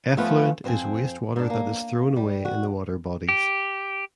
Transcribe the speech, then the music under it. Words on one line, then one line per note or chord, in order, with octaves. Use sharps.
Effluent is waste water that is thrown away in the water bodies.
F3 A3 B3 C#4 F4 B4
F2 C4 C5 G#5
G#2 D4
A#3
G3
F#4
G4